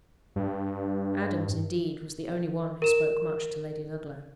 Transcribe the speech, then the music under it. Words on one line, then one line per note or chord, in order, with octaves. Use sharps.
Adams, indeed, was the only one who spoke much to Lady Ludlow.
G2
A#4 E7